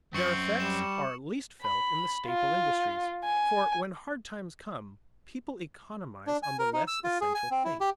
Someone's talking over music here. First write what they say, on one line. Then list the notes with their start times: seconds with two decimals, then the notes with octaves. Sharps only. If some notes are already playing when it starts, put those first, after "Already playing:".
Their effects are least felt in the staple industries, for when hard times come, people economize on the less essential things.
0.14 F#2 C4 C#6 C#7 F#7
0.60 G3 E7
1.62 B5
2.27 F4
3.25 G#5
6.27 D4
6.43 G#5
6.59 A#4
6.73 D#4
6.88 E6
7.04 F4
7.21 G#4
7.35 G#5
7.51 C4
7.65 E4
7.81 G4